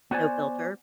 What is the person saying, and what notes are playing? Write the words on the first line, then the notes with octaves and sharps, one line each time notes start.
No filter.
B3 F#4 C5 D5 G#5